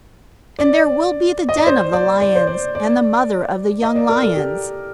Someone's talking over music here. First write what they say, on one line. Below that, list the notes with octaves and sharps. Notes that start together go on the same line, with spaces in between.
And there will be the den of the lions, and the mother of the young lions!
D5
D#5
D5
C5
D5
D5
C5
D5
D5
D#5
D5
A#4
A4
G4